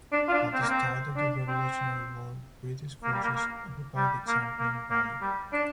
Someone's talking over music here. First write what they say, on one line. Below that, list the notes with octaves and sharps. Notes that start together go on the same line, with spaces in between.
At the start of the Revolutionary War, British forces occupied the Champlain Valley.
D4
F4
D4
C4
A#3
C4
D4
C4
A#3
G3
A#3
A#3
G3
A#3
A#3
A#3
G3
D4